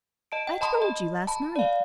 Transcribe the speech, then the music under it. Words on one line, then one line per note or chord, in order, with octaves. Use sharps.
"I told you last night."
D#5 A5 D7
G5
D#5 A5 B5 C6 D#6
D#5
A5 B5
D5 F5